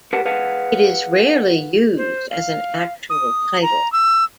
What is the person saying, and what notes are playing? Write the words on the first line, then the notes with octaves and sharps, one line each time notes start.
It is rarely used as an actual title.
G4 A#4 B4 F#5 A5
G#4 B4 F5 F#5 A5
C5
F5
D#6
A#5
E6